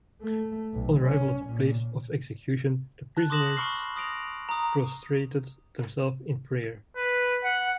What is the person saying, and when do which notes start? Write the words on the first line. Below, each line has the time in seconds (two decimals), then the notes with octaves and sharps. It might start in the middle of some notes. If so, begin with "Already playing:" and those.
On arrival at the place of execution the prisoners prostrated themselves in prayer.
0.22 A3
0.74 B1
1.06 C#4
1.45 A#2
3.17 A5 F#6 A6
3.30 C6 D6 D#6 A#6 E7 F#7
3.57 B5 C#6 F6 C7
3.96 D#6 A#6 D7 F7
4.49 A#5 D#6
6.96 B4
7.44 F#5